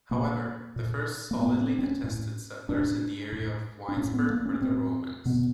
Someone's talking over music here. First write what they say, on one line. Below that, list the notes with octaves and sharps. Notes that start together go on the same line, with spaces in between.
However, the first solidly attested settlers in the area of Weinsberg were the Romans.
A#2 A#3
A#2
A#3
A2 B3
C4
C4
C#4
A2
A2 D4
A2
D4
A2 C#4
B3
A#3
C#4
A2 C4
B2 B3